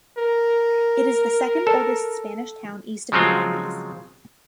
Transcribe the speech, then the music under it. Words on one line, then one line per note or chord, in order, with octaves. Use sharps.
It is the second oldest Spanish town east of the Andes.
A#4
A4
C#3 F3 F#3 G#3 C4 F4